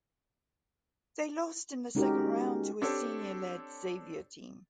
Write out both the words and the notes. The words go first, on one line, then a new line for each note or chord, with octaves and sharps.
They lost in the second round to a senior-led Xavier team.
G#3 C#4 D#4 F#4 G4 A#4
C4 D4 G4 A4 C#5